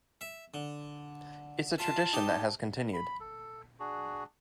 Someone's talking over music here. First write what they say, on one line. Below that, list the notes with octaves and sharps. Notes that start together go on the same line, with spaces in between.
It's a tradition that has continued.
E5
D3
F4 E5 A5
D#4 G4
B5
A4
D4 F#4 G#4